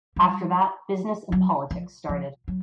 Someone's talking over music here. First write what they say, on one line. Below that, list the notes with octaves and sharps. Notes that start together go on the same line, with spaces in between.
After that business and politics started.
G3
F#3
F3
F3
F#3